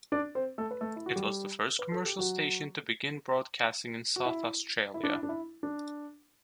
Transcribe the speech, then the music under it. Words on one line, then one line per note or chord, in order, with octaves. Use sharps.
It was the first commercial station to begin broadcasting in South Australia.
D4 D5
C4 C5
A3 A4
B4
A3 A4
E4
F#4
G3 G4
B4
A4
G4
F#3 F#4
F#4
E4
E4
D4
E4
D4
E4
D4